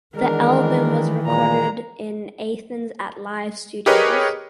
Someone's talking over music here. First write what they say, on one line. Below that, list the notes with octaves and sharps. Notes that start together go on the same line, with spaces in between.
The album was recorded in Athens at Live Studios.
D#3 E3 G#3 D4 A#4
A#2 G#3 A#5
G4 G#4 A#4 B4 C#5 D#5